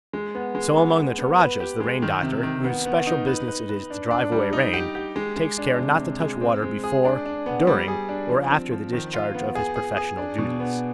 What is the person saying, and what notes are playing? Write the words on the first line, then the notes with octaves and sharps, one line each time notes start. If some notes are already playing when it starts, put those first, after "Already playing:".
So among the Toradjas the rain-doctor, whose special business it is to drive away rain, takes care not to touch water before, during, or after the discharge of his professional duties.
G#3
B3
G#3
B3
B3
B3
B4
G4
G#3
D#3
C3
D#3
B3
B3
D#4
B4
B4
B4
D4
D4
G3
D#4
G4
G4
G#3
G#3
D4
C3
C3
G#3
C4
G#3
G#4
D4
D4
B3
G3
G#4
D4
F3
C4
F3
D#3
F4
B3
G#4
G#4
G#4
D4
B2
B3